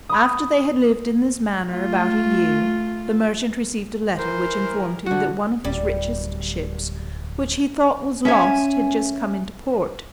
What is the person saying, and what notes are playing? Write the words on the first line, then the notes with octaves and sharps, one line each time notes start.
After they had lived in this manner about a year, the merchant received a letter, which informed him that one of his richest ships, which he thought was lost, had just come into port.
B5 D#6
A3 F4
E3 A#4 C5
D3 F#4 F#5
D1 G3
C#4 E5 G#5